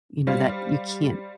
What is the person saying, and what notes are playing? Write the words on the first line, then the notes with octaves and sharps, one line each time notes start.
you know, that you can't
G3 C5 F5